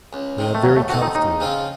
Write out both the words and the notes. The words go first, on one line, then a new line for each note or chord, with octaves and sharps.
We are very comfortable.
C#2
C3 D#3
A3
D#2 F#3
A3
D#3 A3 C4 F#4
D#4
D#2 D#4
C#3 F3 C4 F4